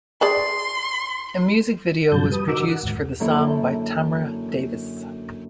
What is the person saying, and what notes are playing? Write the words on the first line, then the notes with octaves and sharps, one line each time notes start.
A music video was produced for the song by Tamra Davis.
G#4 D5 A5 C6
G2 C3 F3 F#3 A5 G6
G3 B4 D#6
D3 D#4 F#4 A#4 D6 E6
F#5
D#2 G#2
F#2 D3 A#3 E4 A4